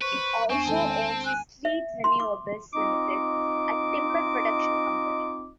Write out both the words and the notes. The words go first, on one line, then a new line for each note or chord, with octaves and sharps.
It also owns Sleat Renewables Limited, a timber production company.
B4 C5 C#6
E2 B3 C4 D4 G#5 C#6
D#3 G#3 A4 A5
G#5 F#6
E5
C6
D6
C4 D#4 F4 D#5 D6